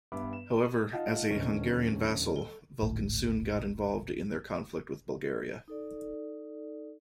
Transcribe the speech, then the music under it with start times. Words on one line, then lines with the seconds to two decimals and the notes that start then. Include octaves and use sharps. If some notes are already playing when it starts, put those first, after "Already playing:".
However, as a Hungarian vassal, Vukan soon got involved in their conflict with Bulgaria.
0.12 G2 G3 B3 E5 B5 D6
0.33 E7
0.56 D#7
0.93 D#4 F4 D#5 F5 F#5 A5
1.30 D#1 E2 D3 C#4 D#5
2.36 A4 G7
2.82 D1 G#1 A2
5.68 D#4 A4 D5